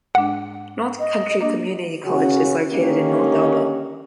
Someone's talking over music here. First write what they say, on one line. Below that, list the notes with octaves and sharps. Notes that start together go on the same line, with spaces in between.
North Country Community College is located in North Elba.
G#2 G#3 D4 F#5
D#5
A#3 D4 D#5
C#3 C#4 F#4
D3 D#3 A#3 C#4 D#4 G4